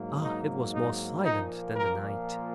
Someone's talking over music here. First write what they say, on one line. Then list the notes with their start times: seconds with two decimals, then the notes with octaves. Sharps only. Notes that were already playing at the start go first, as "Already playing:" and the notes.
Ah! it was more silent than the night.
Already playing: G#2 F#3 A#3
0.23 D#4
0.74 D#4
1.24 A#2 F3 A#3 D#4
1.76 A#4